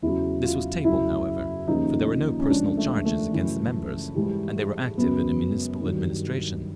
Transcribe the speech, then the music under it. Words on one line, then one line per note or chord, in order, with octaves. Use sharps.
This was tabled, however, for there were no personal charges against the members, and they were active in the Municipal administration.
E2 C#3 F#3 E4
F4
F#2 C#3 F#3 E4
D#2 C#3 F3 D#4
C#4
C#2 C#3 F3 D4
A3
A3
F#2 C#3 E3
G#2 E3 G3
F#2 C#3 F#3 B3
G2 D#3 F#3